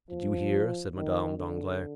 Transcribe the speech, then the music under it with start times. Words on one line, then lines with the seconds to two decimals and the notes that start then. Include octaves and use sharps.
"Did you hear?" said Madame Danglars.
0.10 F3
0.96 D#3
1.38 D3